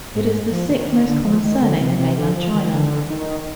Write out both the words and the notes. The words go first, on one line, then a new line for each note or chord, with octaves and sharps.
It is the sixth most common surname in Mainland China.
G#2
F3
D#3
D#3
D3
F3
D#3
D3
C3
C3
D3
F3
D#3
D3
D#3